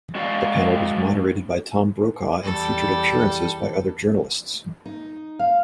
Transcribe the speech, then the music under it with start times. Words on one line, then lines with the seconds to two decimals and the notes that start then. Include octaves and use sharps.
The panel was moderated by Tom Brokaw and featured appearances by other journalists.
0.15 G#3 F#4 D5 F5
2.43 E2 G3 A4
4.86 D#4
5.39 F5